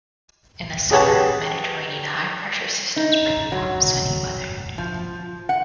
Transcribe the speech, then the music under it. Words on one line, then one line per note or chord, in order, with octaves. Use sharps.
In the summer, Mediterranean high-pressure systems bring warm, sunny weather.
G4 G#4 B4 C#5 F#5 A5
D#4
F#3
F3
F#5